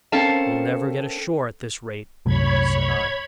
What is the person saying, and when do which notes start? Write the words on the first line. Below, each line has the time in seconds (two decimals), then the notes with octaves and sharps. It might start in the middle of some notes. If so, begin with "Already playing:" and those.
"We'll never get ashore at this rate," said I.
0.12 C4 C#4 A4 A#4 F5 A5
2.26 C2 F#2 A2 C#5 B5 G#6